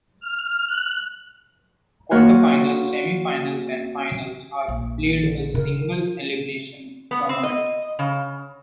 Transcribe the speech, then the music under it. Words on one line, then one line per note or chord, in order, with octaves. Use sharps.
Quarter-finals, Semi-finals and Finals are played a single-elimination tournament.
F6
F#6
A#3 F4 F#4 C#5
A#1
D3
C#3 D#4 A#4
B3
C4
D#5
C#3